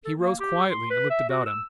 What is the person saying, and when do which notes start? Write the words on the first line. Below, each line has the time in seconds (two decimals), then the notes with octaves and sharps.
He rose quietly and looked about him.
0.05 A4
0.18 A#3
0.40 G4
0.70 C6
0.90 B4
1.10 E5
1.29 F#4
1.46 E6